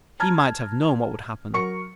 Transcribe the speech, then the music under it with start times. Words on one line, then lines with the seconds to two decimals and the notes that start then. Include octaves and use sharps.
He might have known what would happen.
0.20 A5 A#5 F6 G#6
1.53 F#3 A#4 C#6 C#7